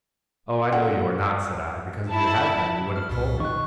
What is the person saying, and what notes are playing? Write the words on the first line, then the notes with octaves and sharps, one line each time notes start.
'Oh, I know you are not!' said I, 'because if you had been you would have told me.
A4 F5 F#5
E4 A5
F6
C2 A#2
D#3 C#6 F#6